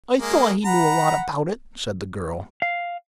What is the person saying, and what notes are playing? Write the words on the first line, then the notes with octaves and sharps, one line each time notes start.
"I thought he knew a lot about it," said the girl.
G#3 A#3
F#5 A#5 B5
F5